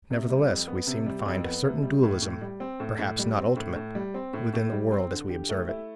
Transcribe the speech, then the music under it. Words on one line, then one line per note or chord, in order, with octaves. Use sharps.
Nevertheless, we seem to find a certain dualism, perhaps not ultimate, within the world as we observe it.
C3
G3
F2
B3
C3
G3
F2
B3
C3
G3
A2
A2
G3
C4
A2
A2
G3
C4
A2
A2
G3
C4
A2
A2
G3
C4
D3
G4
A3
E4